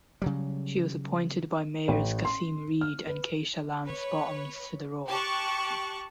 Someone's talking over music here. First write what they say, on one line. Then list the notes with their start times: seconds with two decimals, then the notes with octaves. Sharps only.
She was appointed by Mayors Kasim Reed and Keisha Lance Bottoms to the role.
0.22 C#3 F#3 G3
1.88 A1
2.25 C6
2.81 F6
3.07 B4
3.86 B4 C#5
5.08 G4 A5 C#6 F#6